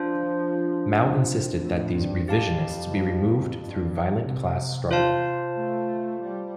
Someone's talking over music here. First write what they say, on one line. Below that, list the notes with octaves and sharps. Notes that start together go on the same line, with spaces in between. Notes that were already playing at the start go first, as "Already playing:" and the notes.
Mao insisted that these "revisionists" be removed through violent class struggle.
Already playing: F3 D4 F4 C5
C3
A2
G2
F2 G4 F5 A5
G2
C3
F4 C5 F5 A5
A3
G3